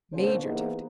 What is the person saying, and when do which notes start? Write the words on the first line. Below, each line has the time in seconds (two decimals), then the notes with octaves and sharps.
"Major Tifto."
0.14 A#2 C#3 B3 D4 C5
0.44 E3 A#3 B3 D#4 G4 G#4